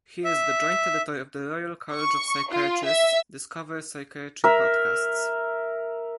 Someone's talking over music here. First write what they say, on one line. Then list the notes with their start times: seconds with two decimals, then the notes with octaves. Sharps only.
He is the joint editor of the Royal College of Psychiatrists "discover psychiatry podcasts".
0.24 E5
1.94 C#6
2.51 F4
2.85 E5
4.44 A#4 E5